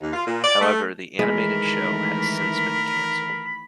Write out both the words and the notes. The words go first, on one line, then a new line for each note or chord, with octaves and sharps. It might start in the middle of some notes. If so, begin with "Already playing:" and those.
However, the animated show has since been cancelled.
D#2
F4
A#2
D5
A3
D#3 E3 G#3 A3 A#4 B5